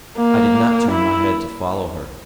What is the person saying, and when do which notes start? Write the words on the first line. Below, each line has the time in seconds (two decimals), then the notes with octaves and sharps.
I did not turn my head to follow her.
0.18 A#3
0.92 E4